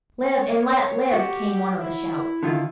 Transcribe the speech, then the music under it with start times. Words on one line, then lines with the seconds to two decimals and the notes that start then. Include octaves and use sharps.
"Live and let live!" came one of the shouts.
0.37 C#5
1.14 F#4 G4
1.81 E4
2.43 D3 D#3 F4